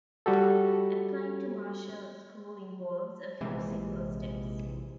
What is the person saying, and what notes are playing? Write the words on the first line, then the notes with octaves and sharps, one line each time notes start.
Applying to Marshall School involves a few simple steps.
G3 F#4 G4 A4
A#1 C3 E3 G#3